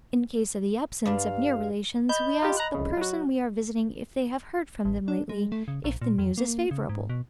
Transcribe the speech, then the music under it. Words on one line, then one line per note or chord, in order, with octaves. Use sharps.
In case of the absence of near relations, we ask the person we are visiting, if they have heard from them lately, if the news is favorable.
G2 D4 F5
D#5 B5 G6
F4 G4
A#5 F#6
C2 F2 C#3
F#3 F#4
A1
D4
G#3
A3
C#3
A#1
A#2
F2
A#3
C#3
G#2
B2